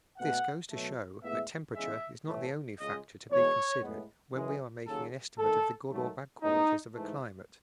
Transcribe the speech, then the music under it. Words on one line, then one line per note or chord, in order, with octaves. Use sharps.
This goes to show that temperature is not the only factor to be considered when we are making an estimate of the good or bad qualities of a climate.
B2 A3 F#5
B2 F#3 A3
A2 G#3 B3 E5
E2 C#3 G#3 E5
A2 E3 A3
C#2 C#3 G#3 D#5
E2 B2 G#3 B3 C#5
A2 G#3 B3
F#2 E3 G#3
D#2 C#3 F#3 A4
D#2 D#3 A3 A4
G#2 D#3 F#3 A3
A2 G#3 B3 D#4
G#2 E3 A3